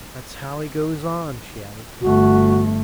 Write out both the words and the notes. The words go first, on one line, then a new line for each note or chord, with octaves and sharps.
"That's how he goes on," she added.
G1 A3 F#4